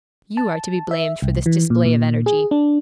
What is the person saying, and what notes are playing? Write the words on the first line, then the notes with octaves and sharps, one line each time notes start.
You are to be blamed for this display of energy.'
A5
E5
C2
E3
A#2
A#2
G#4
D4